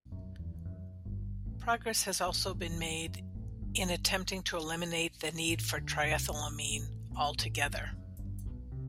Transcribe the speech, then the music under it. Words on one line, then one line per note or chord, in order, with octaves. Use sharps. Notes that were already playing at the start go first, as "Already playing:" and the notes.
Progress has also been made in attempting to eliminate the need for triethylamine altogether.
F#2
E2
E2
F#2
G1 G2
A1 A2
A1 A2
A2
G1 G2
E2
F#2
F#2
A1 A2
G1 G2
A1 A2
D2 D3
C2 C3
A1 A2
A1 A2
B1 B2
A1 A2
G1 G2
F#2
G1 G2
B1 B2
C3